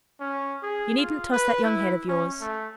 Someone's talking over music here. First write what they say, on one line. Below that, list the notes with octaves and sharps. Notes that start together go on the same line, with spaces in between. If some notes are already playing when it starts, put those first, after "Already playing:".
You needn't toss that young head of yours.
C#4
G#4
F4
B4
E4
C#4
A3